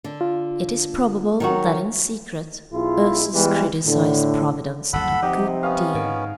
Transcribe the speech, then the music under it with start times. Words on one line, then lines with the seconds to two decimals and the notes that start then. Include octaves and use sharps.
It is probable that in secret Ursus criticized Providence a good deal.
0.04 D3
0.21 F4
1.40 D#3 F#3 F#4
2.73 B1 E4 F4 G#4
3.34 E3 G3 G#3 B3
3.86 A2 D3
4.93 G1 D#2 F#3 A4 F#5 B5
5.22 C3 F3 D#4 G4 F#5
5.63 B3 C#4 D#5 F5
5.95 G#2